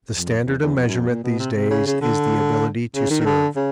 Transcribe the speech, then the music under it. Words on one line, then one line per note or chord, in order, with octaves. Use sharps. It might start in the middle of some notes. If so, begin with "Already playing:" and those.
The standard of measurement these days is the ability to serve.
F2
E2
E2
F2
F#2
F2
A#2
B2
C3
C3
C#3
C#3
D3
C#3
D#3
D#3
D3
C#3